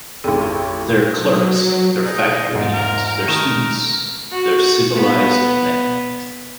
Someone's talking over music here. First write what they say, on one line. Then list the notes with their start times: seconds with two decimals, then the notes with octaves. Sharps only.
They're clerks, they're factory hands, they're students, they're civilised men.
0.24 A1 F2 G#4 A4
0.38 D3 A4 C6
1.16 F#3
2.05 D#4 G#4 D5
2.54 E2 G#2 F4
2.73 A#4
3.05 A#4
3.28 D#3 A3
4.31 F#4
4.95 B3